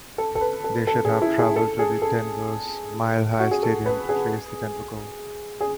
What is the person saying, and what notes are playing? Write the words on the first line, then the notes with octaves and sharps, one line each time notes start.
They should have traveled to Denver's Mile High Stadium to face the Denver Gold.
A4
A4
B4
A4
A4
G#4
E4
G#4
A4
G#4
A4
F#4
G#4
A4
B4
G#4
G#4